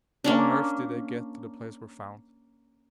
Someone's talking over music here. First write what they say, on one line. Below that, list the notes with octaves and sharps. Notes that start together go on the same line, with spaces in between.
How on earth did they get to the place where found?
A#3 C#4 D4